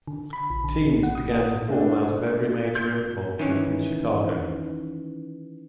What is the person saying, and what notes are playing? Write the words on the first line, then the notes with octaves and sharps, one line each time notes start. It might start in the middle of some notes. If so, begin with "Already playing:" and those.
Teams began to form out of every major improv troupe in Chicago.
D3
B5
A#1
D3
A#1
F#5
D#6
A3 D4
G6
D#3 E3 C#4